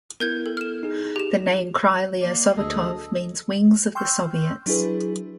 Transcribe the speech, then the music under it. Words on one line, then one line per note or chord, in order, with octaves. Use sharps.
The name "Krylia Sovetov" means "Wings of the Soviets".
B3 E4 A#4 G6 G#6
A4
F6 E7
D#4 G#4
G4 E7
A#3 D5
D2 G#4 A4 D#5
G5 C6 C#6 E6 F6 G6
F#3 D4 E4 G#4 B4